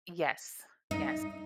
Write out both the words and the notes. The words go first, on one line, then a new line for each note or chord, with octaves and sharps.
Yes, yes.
D#4